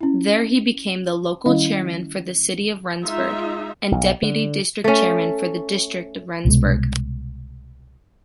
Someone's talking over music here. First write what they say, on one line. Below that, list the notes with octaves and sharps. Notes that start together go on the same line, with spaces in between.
There he became the local chairman for the city of Rendsburg and deputy district chairman for the district of Rendsburg.
C#4 E4
D#3 G3 C#4 E4 D#5 F5
G#3 D#4 F4 E5
B1
D3
A3 C#4
C2 B2 G#3